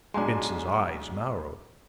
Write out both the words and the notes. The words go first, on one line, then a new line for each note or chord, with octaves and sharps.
Bince's eyes narrowed.
B1 G#3 D4 G#5 C6